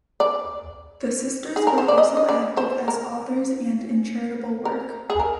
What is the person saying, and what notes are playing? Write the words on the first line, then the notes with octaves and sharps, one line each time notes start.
The sisters were also active as authors and in charitable work.
D5
G#4
A#4
C5
D5
D#5
D#5
D5
C5
A#4
A#4
G#4
A#4